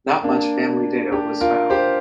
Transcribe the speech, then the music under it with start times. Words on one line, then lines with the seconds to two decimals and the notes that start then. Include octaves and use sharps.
Not much family data was found.
0.23 A#3 D4
1.12 D4 G4
1.40 F4 A#4
1.70 G4 C5